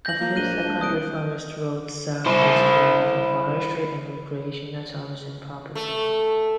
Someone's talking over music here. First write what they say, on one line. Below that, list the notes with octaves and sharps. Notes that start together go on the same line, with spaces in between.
A few secondary forest roads serve this area for forestry and recreational tourism purposes.
G6 A#6 F#7
F3 A#3
A#1 F#6 D#7 G7
D4
C2 D#6 F#6 D7
E4 C5
A3